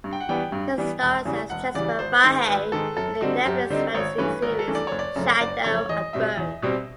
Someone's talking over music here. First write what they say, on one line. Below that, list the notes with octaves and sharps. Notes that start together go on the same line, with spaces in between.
He stars as Jesper Fahey in the Netflix fantasy series "Shadow and Bone".
G2
G5
F#5
E3 G3 B3 G5
G2
E3 G3 B3
E1
E2 C#3 E3 G3
E1 F#5
E2 C#3 E3 G3 D5
G#1 C5
G#2 D#3 G#3 C5
G#1 B4
G#2 D#3 G#3 A4
F#2 A4
D3 G3 C4 D#4 F#4
F#2 G4
D3 G3 C4 D#4 C5
G#1 C#5
G2 E3 A3 C#4 B4
G#1 A#4
A4
G2 E3 A3 C#4
D5
F#1 C#5
D5
F#2 C#3 F3 A3
F#1 D5
F#2 C#3 F3 A3 C#5
E2 D#5
B2 G3 C4 E5
E2
B2 G3 C4